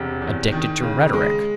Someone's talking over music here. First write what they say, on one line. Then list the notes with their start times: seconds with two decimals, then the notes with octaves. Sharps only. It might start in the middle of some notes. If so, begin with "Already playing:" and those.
Addicted to rhetoric.
Already playing: E1 C3
0.22 E2
0.52 D#3
0.83 C#3
1.13 G#3